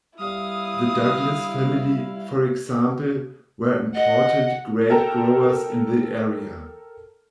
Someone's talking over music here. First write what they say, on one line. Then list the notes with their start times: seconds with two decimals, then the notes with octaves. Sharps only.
The Douglas family, for example, were important grape growers in the area.
0.19 G3 E4 F5 D#6
3.95 D#5 F#5
4.90 A4 A#4 G5 A5 A#5